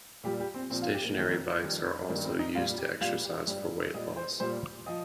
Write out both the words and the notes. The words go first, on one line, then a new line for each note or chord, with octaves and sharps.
Stationary bikes are also used to exercise for weight loss.
A#2 G3 G4
G4
C4
A#2 F3 C4
F4
G4
A#3
F2 D#3 G3
F2 D#3 G3
G2 D#3 G3 A#3
C4
D#4
A#2 G3 F4
G4
A#2 G3 F4
G4
G2 G3 G4
A#2 G3 D#5
C5
A#2 G3 C5
F3 D#5